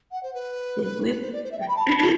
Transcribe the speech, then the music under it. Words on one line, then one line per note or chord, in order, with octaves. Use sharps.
The weapons are also used to make Ultimate Fatality with slashing.
F#5
C5
B4
B4
C5
D5
C5
E5
G5
B5
A5
B5
A5